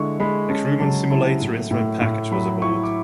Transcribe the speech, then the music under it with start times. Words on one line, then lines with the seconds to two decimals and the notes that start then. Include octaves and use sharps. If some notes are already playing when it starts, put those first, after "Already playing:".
A Crewman Simulator instrument package was aboard.
Already playing: D3 G#3 E4 C#6
0.20 G#3 B5
0.50 C#4 A5
0.80 F#3 A5
1.10 E4 A5
1.41 A2
1.71 A2
2.01 A2
2.32 F#3 B5
2.62 E4 C#6
2.83 D6